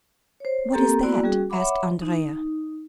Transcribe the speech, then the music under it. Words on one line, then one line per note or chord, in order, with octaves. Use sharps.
"What is that?" asked Andrea.
C5 C#5
A#3 C4 G4 A4 A#4 A#5
A#3 B3 E4 F#4 D5
G3 C#4 F#4 G#4
C#5 E5 F#5 B5 D6
D#4